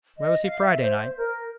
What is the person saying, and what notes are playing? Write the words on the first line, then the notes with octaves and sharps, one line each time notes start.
Where was he Friday night?
D#5
F5
E5
C5
A#4